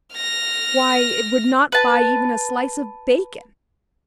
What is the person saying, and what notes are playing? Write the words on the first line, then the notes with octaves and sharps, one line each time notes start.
Why, it would not buy even a slice of bacon.
F6 A#6
B4 A5